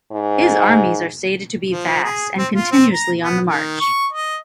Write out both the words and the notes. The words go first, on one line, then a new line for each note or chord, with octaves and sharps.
His armies are stated to be vast and continuously on the march.
G#2
F3
G#4
C4
F4
C4
A#5
B3
D#3
C#6
D#5